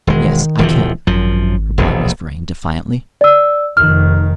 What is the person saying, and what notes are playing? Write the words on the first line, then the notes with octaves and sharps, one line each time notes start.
"Yes, I can," replied Miss Vrain defiantly.
E1 D#3 G#3
E1 E3 F3
G#1 F#2 F3
E1 A#1 D#2
D5 E6
F1 D#3 F6